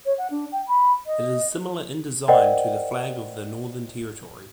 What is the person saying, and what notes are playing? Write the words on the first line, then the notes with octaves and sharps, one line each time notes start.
It is similar in design to the flag of the Northern Territory.
C#5
F#5
D4
G5
B5
D#5
A#4 C5 D5 D#5 F#5 G5